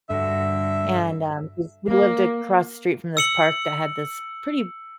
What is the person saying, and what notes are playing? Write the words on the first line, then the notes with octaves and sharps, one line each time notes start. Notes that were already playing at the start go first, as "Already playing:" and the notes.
and, um, jus we lived across the street from this park that had this pretty
G2 D3 F#4 E5
A#3
E6 C#7 F#7